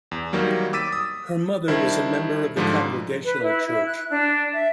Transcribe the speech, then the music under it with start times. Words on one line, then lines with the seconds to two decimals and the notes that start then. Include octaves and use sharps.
Her mother was a member of the Congregational Church.
0.11 E2
0.33 D#3 F#3 G3 A#3
0.73 D6 E6 A6 B6 D#7
0.92 D#6
1.68 D#3 G3 D4 E4 C5
2.56 G#2 D3 F3 G3
3.25 B4
3.43 E4
3.67 E4
3.86 F#6
4.11 D4
4.54 E5